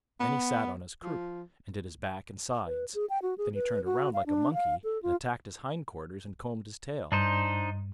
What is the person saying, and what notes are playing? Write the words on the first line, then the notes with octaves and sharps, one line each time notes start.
Then he sat on his croup, and did his back and sides; then he turned around like a monkey, and attacked his hind-quarters, and combed his tail.
B3
F3
B4
G#4
G5
F#4
G#4
B4
F#4
F5
D4
F5
A4
F4
G2 D4 D#4 C5